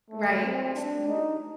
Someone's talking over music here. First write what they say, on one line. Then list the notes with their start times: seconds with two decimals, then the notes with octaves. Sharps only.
Right. See,
0.10 A3
0.42 C4
0.74 D4
1.07 D#4